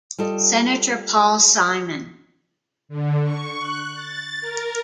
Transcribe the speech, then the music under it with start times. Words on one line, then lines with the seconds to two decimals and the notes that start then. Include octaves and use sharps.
Senator Paul Simon.
0.18 G3 F4 A4 D#5
2.89 D3
3.23 C#6
3.59 F#6
3.94 A6
4.41 A#4